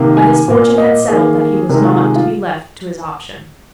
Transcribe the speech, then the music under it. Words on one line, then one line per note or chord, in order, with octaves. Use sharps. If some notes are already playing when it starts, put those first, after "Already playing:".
But his fortune had settled that he was not to be left to his option.
Already playing: C3 D#3 A#3
G#5
A#2 A#3
D#5
D#3 A#3 G#4
C3 D#3 G#3 A#4
F4
G#4
F4